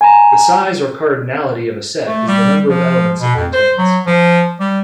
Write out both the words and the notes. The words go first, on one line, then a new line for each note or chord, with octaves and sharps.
The size or cardinality of a set is the number of elements it contains.
G#5 A#5
A3
G3
F3
B2
F2
C5
F#3
F3
G3